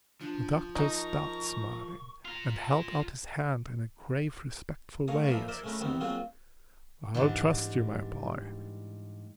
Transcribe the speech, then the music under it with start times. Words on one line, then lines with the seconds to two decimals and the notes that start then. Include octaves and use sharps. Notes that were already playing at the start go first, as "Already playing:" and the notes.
The doctor stopped smiling, and held out his hand in a grave, respectful way, as he said, 'I'll trust you, my boy.
0.21 F3 D4
0.75 D#4 A#4 A#5 C#6
2.25 F4 A#5
5.08 A3 G#4 A#4 C#5 F5
5.27 A#2 E3 F3 A4 A#4
5.48 A#4 C5 D5 E5
5.64 G#3 A3 C#4 E4 A#4
5.80 C3 D#3 B3 C4
6.01 F#3 G#3 A#3 C4 F4 G#4
7.14 G#2 E3 G3 D4 G4